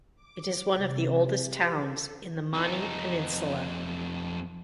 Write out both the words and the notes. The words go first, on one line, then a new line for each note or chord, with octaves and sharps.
It is one of the oldest towns in the Mani Peninsula.
D6
C3
G4
A4
F2 D#4